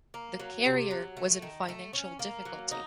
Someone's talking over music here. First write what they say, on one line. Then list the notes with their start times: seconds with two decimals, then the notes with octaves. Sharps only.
The carrier was in financial difficulty.
0.14 A#3
0.39 F#3
0.65 C3
0.91 F#3
1.17 A3
1.42 D#3
1.69 A3
1.93 C#4
2.19 A#3
2.45 F#3
2.71 D#4